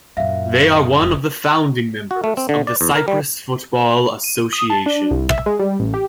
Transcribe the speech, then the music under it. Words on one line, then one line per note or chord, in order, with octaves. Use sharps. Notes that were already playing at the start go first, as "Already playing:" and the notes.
They are one of the founding members of the Cyprus Football Association.
F#2 A#2 E5 F5
F1 D#6
F#4
A3
C4
D3
D5
E2
A#4
G3
D#7
D#6
A5
D4
C2
E5
G#3
G3
A1
G4